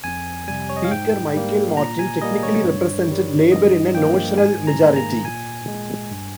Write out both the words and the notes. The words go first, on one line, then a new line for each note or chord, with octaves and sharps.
Speaker Michael Martin technically represented Labour in a notional majority.
F2 G#5
C3 G3 G#5
C#5
D#5
F5
G#2 G5
G3 A#3
A#2 A#5
G#5
G3 A#3 D#5
C#5
G2
D#3 G3
G2 D#5
F3 A#3 G5
G#2 G#5
A#5
D#3 A#3
A#5
A#2 G#5
G#3
G2